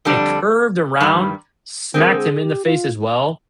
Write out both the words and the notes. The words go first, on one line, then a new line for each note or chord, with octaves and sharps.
it curved around, smacked him in the face as well,
F2 D3 G3 D4
G2 D#3 G3
D3 G#3 C4 A#4
G#4
G4
F4